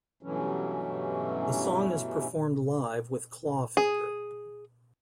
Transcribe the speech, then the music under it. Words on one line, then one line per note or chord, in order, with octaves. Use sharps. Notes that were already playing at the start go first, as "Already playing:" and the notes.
The song is performed live with Clawfinger.
G2 B2 E3 F#3 A3 C#4
G#4